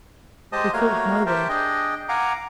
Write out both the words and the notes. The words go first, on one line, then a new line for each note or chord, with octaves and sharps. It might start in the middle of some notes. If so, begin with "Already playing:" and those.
'We called nowhere.
G#3 G4 C5 D#5 A5 D#6
A3 A#3 F#4 A#4 C#5 F5
G4 A#4 C5 E5 G5 A5
D4 G#4 D#5 G5
F5 F#5 G#5 A#5 D6